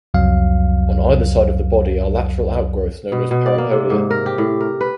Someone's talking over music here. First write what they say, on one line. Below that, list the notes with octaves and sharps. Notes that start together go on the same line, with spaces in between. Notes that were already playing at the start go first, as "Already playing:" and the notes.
On either side of the body are lateral outgrowths known as parapodia.
C2 F2 F#3 F5
B2
B2
D5
A#3
C3
G#2
A#4
G4
A2
A#4
B4